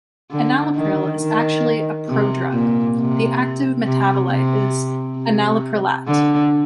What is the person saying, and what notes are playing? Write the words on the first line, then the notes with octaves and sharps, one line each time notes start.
Enalapril is actually a prodrug; the active metabolite is enalaprilat.
D3
D#3
D#3
C3
A#2
C3
C3
C3
C3
D3